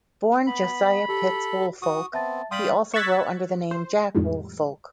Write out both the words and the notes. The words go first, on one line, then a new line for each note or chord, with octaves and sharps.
Born Josiah Pitts Woolfolk, he also wrote under the name Jack Woolfolk.
B3 B5
G4 A4
F#4 C#6 D#6
B3 C4 E5 A5 A6
G3 F5 G5 C6 D#6 B6 F#7
C#6 E6 F#6 G#6 A6 B6
C5
F2 A2 D#3 F3 G3 G#3